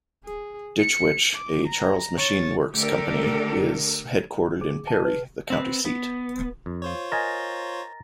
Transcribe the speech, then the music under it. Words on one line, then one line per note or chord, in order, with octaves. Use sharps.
Ditch Witch, a Charles Machine Works company, is headquartered in Perry, the county seat.
G#4
C#7
D6
A#5
C#5 A6
D3 A3 D4 G4 A4 A#4
G#4
A5
B4
C4 B4
B3
F2
F4 C5 C#5
A#4 D#5 G#5 A#5 A6 A#6